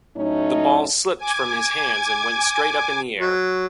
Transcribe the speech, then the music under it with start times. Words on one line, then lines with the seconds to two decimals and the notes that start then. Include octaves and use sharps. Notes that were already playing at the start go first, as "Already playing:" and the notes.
The ball slipped from his hands and went straight up in the air.
0.16 A2 F#3 A3 C#4 D#4
1.18 G#5 D6 G#6
3.20 F#3